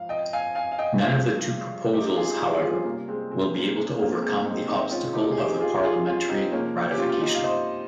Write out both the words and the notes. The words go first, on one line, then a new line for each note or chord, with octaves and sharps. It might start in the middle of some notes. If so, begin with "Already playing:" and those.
None of the two proposals, however, will be able to overcome the obstacle of the parliamentary ratification.
Already playing: G#2 F3 F5
D#5 G5
F5 G#5
F5 G#5
F5
D#5 G5
G2 F3 G#3 C#5 F5
D#4 G4
F4 G#4
D#4 G4
F4 G#4
C3 G3 A#3 C#4
G#3 C4
G#3 C4
A#3
G#3
A#3
G#3 C4
C4 D#4
G#2 D#3 G#3 C4 D#4
C#4 F4
D#4 G4
G#4
D#4 G4
F4 G#4
F4 G#4
C#4 F4
C4 D#4
C3 F3 G#3 A#3 C#4
G4
C#4 F4
F4
D#4 G4
F5
C5 D#5